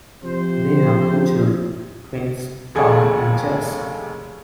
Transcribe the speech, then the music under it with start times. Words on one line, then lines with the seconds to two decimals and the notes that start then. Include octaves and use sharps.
They have two children, twins Tom and Jess.
0.24 C3 F3 C5
2.75 F1 D#2 G#4 A4 G5 G#6